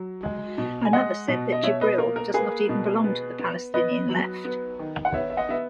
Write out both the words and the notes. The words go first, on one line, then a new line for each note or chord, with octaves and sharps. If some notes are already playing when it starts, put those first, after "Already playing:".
Another said that Jibril does not even belong to the Palestinian Left.
Already playing: F#3
G#3
B2
G#5
G#3 D#5 F#5
B2
D#5
B2 C#5 E5
B4 D#5
A#3 A#4
A#4
A#3 G#4 B4
B2
B3
B3
B3 B4 D#5
F#3
B3
D#3
F#5
B3 C#5 E5
E5
D#5 F#5
B3 E5